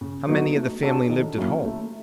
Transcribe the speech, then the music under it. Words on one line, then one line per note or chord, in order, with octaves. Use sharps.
"How many of the family lived at home?"
C#3
F#3 B3 D#4 F#4
A3
D4 F#4 A4 C#5
D#3
F#3 A#3 C#4 E4
A3